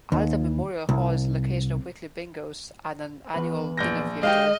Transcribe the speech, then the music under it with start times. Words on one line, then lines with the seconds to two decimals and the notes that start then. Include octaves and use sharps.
Alida Memorial Hall is the location of weekly bingos and an annual dinner theatre.
0.12 D#2
0.89 C2
3.34 E2 G#2 B4
3.77 A#1 G6 A#6
4.23 G#3 G4 C5 D#5 F5 F6